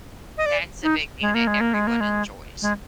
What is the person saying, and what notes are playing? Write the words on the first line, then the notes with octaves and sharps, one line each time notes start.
That's a big thing that everyone enjoys.
D#5
D5
D#4
G#3
A#3
G#3
A#3
G#3
A#3
G#3
G#3